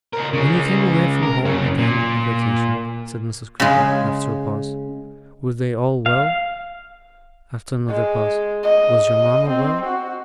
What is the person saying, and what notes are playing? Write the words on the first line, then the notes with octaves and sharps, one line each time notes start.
'When you came away from home at the end of the vacation,' said Mrs. Creakle, after a pause, 'were they all well?' After another pause, 'Was your mama well?'
C#2 A#4
C#3 G#3
A#4
F#2 C#3
A#2
C#3 G#3
F5
G#3
D#5
C4
F#4